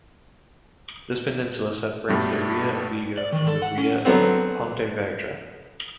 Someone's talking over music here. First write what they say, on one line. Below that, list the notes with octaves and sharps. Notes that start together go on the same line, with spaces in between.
This peninsula separates the Ria of Vigo from the Ria of Pontevedra.
G2 B2 G3 A3 D4
D5
D#3
A4
F#5
C#4
D3 F#3 A3 B3 C4